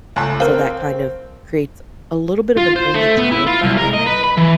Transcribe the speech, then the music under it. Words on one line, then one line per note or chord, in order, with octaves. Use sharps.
so that kind of creates a little bit of an only child dynamic,
C#2 A3 A5
C4 A#4 F5
F4
C5
A3
B3
E4
F4
C2
A#4
D#5
B4
B5
E3